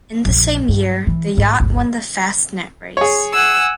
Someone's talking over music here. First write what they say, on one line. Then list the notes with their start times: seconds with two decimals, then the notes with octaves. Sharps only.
In the same year the yacht won the Fastnet Race.
0.25 A#1 F2
0.68 G2
1.07 E3
1.37 G#2
1.60 G1 C#2
2.97 G#4 C#5
3.32 F#5 G#5 E6